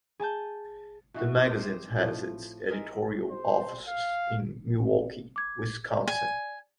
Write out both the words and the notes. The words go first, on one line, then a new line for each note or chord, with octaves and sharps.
The magazine has its editorial offices in Milwaukee, Wisconsin.
G#4 G#5 A5 G6
B2 E3 F#4
C4 D#4 G4 D#5
C5
A2 F3
G#3 A#4 D#5 E5
C5
F5
D6 G#6
D5
G#5